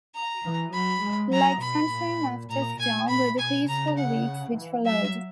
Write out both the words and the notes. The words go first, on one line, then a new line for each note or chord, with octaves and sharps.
Like sunshine after storm were the peaceful weeks which followed.
A#5
E3
F#3 B5
G#3
F#3 A#5
B2 B5
A#2
A#2 A#5
A#2 G#5
A#2 B5
B2 G#5
C#3 A#5
F#5
E3
F#3 E5